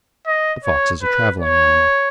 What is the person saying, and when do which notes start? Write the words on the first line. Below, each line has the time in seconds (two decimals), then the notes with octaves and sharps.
The fox is a travelling animal.
0.27 D#5
0.64 C#5
1.02 B4
1.40 C#5